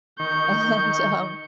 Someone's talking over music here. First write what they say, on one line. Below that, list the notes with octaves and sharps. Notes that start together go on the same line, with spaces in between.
and, um
D#3 C#6 G6